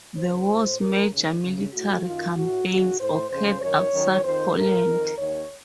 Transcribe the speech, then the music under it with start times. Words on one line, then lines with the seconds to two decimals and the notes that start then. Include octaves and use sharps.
The war's major military campaigns occurred outside Poland.
0.17 F#2 C#3 C5
0.48 A2
0.79 F2 C#3 A#4
1.11 D#2 C#3
1.41 F#2 C#3
1.73 A2 F#4
2.05 F#2 D#3 F4
2.35 A2 F#4
2.67 D#2 C#3
2.98 A2 C5
3.29 F2 C#3 C5
3.60 F#2 D#3 C#5
3.92 F#2 D#3
4.23 F2 D#3 C5
4.54 A2 A#4
4.87 F2 D#3
5.17 D#2 D#3 C#5